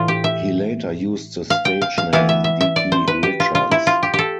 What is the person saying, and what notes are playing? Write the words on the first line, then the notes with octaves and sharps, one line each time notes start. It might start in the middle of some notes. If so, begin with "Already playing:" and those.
He later used the stage name Deke Richards.
Already playing: A2 E3 F4
G4
E5
F5
G5
F5
F5
E3 B3 E4 F5
E5
E5
E5
D5
C5
B4
G4
F4
F4
E4
F4
G4
G4
A4